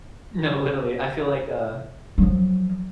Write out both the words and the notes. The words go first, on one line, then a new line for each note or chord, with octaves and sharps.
No, literally. I feel like, uh
F3 F#3